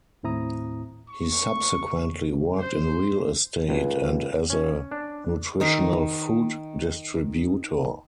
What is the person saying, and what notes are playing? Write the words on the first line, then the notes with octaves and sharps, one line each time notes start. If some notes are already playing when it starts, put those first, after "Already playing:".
He subsequently worked in real estate and as a nutritional food distributor.
D#2 A2 C4 E4 A#5 D#6
C#6
C5
C#2
C#4
D4
D#3 D#4 A#4